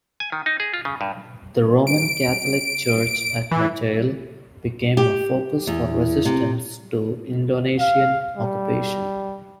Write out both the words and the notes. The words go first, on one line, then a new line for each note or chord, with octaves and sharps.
The Roman Catholic Church at Motael became a focus for resistance to Indonesian occupation.
G#5
D#3
D#4
G#4
F4
C#3
G2
D7
E3
G4
E2
C3
F5
G3